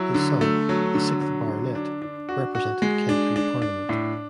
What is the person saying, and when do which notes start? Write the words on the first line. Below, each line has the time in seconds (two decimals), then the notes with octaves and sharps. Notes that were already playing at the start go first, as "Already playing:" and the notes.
His son, the sixth Baronet, represented Kent in Parliament.
Already playing: F#3 E4
0.14 D3
0.41 A3
0.69 F#3
0.94 D3
1.21 F#3
1.48 D3
1.75 D4
2.02 D4
2.29 F#4
2.55 F#4
2.82 G#3
3.09 D4
3.36 D4
3.62 D4
3.89 A2